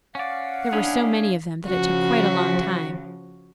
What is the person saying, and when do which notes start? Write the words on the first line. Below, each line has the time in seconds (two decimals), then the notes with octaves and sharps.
There were so many of them that it took quite a long time.
0.15 C#4 D5 F5 F#5
0.73 C#4 D4 E4 G#4
1.66 C#3 F3 F#4